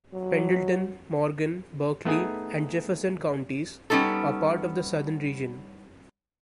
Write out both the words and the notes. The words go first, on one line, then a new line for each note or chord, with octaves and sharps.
Pendleton, Morgan, Berkeley and Jefferson counties, are part of the Southern Region.
F#3
A3 B3 D#4 G#4 G#5
G3 B3 C#4 D#4 A4